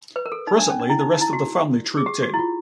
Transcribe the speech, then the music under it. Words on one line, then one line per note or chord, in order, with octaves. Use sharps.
Presently the rest of the family trooped in.
B4
A#4
A4
D#4
D4
C#4
D4
E4
D#4
D#4
E4
F#4
G#4
G4
F#4
E4
F4